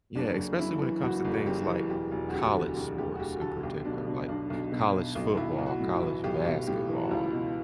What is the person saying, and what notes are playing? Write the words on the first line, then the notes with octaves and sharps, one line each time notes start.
Yeah, especially when it comes to things like college sports in particular, like college football, college basketball.
F#1 D4
F#1
F#2 E4
E3
F#1 F#4
F#1
F#2 G4
E3
E1 G4
E1
F#4
D2 G4
D3
E1 G4
E1 G4
F#4
D2 G4
D3 A4
B1 G4
B2 D4
B2 D4
B1 D4
B1
B2
B2
B1
B1 E4
B1
F#4
A2
E4
E3
B1 G4
B1
A2 G4
E3
F#4
C#2 E4
B2